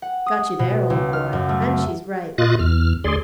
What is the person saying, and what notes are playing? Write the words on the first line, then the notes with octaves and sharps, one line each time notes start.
'Got you there, old boy, and she's right.
F#5
D#6
B2
C#2
F6
F#2
A3
A3
A#2 F4 D#5 F#6 A6
E2 F6
D2 G#4 D5 C6